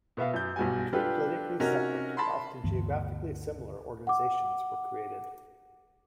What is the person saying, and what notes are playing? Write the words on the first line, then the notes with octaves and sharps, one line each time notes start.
Two politically separate but often geographically similar organizations were created.
B2 B3 E5 F5
F#2 G6
B1 G2 F#4 G#5
D4 F4 G4 A4 B4
C3 C#4 D#4 F#4 A#4
A5 B5 C6
D2 G2 E3 B3
F#5 D6